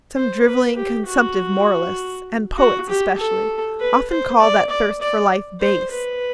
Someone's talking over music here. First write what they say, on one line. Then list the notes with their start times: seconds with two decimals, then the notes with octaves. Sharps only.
Some driveling consumptive moralists--and poets especially--often call that thirst for life base.
0.16 C5
0.47 B4
0.76 G4
1.07 F#4
2.58 F#4
2.89 G4
3.18 A4
3.80 B4
4.10 C5
4.40 D5
4.70 D5
5.01 D5
5.61 C5
5.91 B4